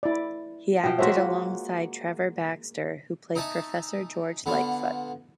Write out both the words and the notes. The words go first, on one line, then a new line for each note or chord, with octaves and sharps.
He acted alongside Trevor Baxter who played Professor George Litefoot.
E4 D5
B2 F3 G5
G#3 A#3 F#4 C5 C#5 E5
F4
D#4 D#5 E5 G#5 A5 C#6
D3 B3 F4